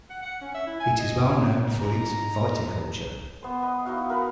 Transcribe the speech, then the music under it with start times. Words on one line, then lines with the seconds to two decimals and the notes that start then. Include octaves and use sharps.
It is well known for its viticulture.
0.10 F#5
0.23 F#5
0.42 C#4
0.55 E5
0.67 E4
0.80 G#5
1.00 D#5
1.28 G#4
1.67 G#2 A#5
3.43 B3 C5
3.62 B4 D#5
3.85 D#4 E4 F#4 F5
4.10 A#4 B4 F5